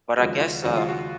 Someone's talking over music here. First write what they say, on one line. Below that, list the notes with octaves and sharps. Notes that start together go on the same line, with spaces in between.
But I guess, um
D#2 C#3 F3 G#3 F#4
F4
D#2 C#3 F3 G#3 F#4
F4
F#4